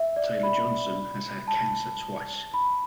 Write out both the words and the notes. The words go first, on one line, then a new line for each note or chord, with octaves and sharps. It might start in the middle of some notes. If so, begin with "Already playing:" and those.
Taylor-Johnson has had cancer twice.
Already playing: E5
D5
B5
A5
B5